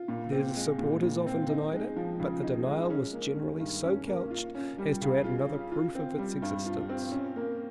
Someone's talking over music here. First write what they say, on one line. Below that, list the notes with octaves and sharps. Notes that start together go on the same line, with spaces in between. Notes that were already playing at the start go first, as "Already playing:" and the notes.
Their supporters often denied it, but the denial was generally so couched as to add another proof of its existence.
Already playing: F4
A#2
C4
G#3
A#2
A#2
C4
D#4
G#3
F3
C#3
D#4
G#3
C#4
A#3
D#3
G2
C#4
A#3
F4
C#4
G3
C#3
F4
C#4
F4
C4
G3
G2
F4
C4
C#4
A#3